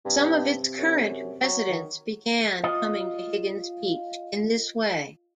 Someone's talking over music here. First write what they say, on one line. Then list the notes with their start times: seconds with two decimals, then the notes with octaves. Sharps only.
Some of its current residents began coming to Higgins Beach in this way.
0.05 G2 C3
0.78 F#2
1.42 F#3
1.68 D#3
2.64 F4 D#5